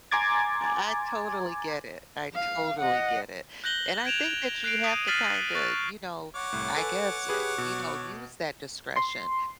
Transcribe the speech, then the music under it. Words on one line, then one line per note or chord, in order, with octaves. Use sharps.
I totally get it, I totally get it, and I think that you have to kinda, you know I guess, eh you know, use that discretion.
G#5 A#5 C6 D6 G#6 A6
F5
D#5 F#5
F#6 G6 A#6 F#7 G7
G#6 D7 E7 F7
F#6 C7 D7
D#6 D#7
F6 A6 B6 C7 D#7 F#7
C#6 F#6 A6
C#5 F#5 D6
C2 A2
A4 B4 G#5
G4 G#4 B4
B2
C6